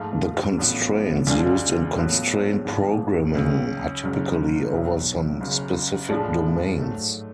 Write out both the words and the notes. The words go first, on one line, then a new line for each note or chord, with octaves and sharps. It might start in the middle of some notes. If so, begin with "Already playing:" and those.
The constraints used in constraint programming are typically over some specific domains.
Already playing: G#2 F3 A3 F4
A1 A2 F#3 B3 F4
D2 C#3 G#3 D4 F4
A2 F#3 B3 F4
G#1 G#2 F3 B3 F4
C#2 C#3 F#3
F#1 F#2 C#3
B1 B2 F#3
F#1 F#2 C#3
A2 F3 G#3 D4
G#2 F#3 A3